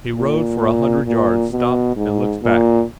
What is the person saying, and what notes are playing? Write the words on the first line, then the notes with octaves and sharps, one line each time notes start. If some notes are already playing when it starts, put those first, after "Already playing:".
He rode for a hundred yards, stopped and looked back.
A#2
A#2
A#2
B2
G#2
A#2